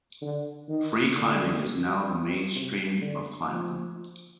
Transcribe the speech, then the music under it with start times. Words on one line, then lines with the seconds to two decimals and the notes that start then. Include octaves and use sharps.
Free climbing is now the mainstream of climbing.
0.22 D3
0.69 D#3
1.16 D3
2.55 C3
3.01 D3
3.48 F3